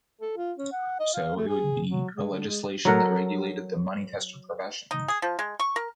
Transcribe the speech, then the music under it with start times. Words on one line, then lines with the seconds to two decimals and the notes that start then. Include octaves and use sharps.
So, it would be a legislation that regulated the money tester profession.
0.21 A4
0.37 F4
0.58 C#4
0.72 F#5
1.00 D#5
1.14 F5
1.36 A3
1.48 G#4
1.88 F#3
2.16 G#3
2.32 D3
2.47 G#3
2.85 F#3 A4 A#4 F#5
4.91 D#4
5.08 G#4
5.22 F3
5.39 G#3
5.60 C#6
5.76 A#4